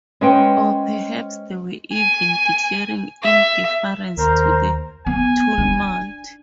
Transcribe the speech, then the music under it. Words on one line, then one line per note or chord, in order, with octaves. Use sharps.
Or perhaps they were even declaring indifference to the tumult.
G#3 C#4 B4 C5 F#5 G5
G#5
E5
D#2 A#4 C5 A#5
B3 G#5
D4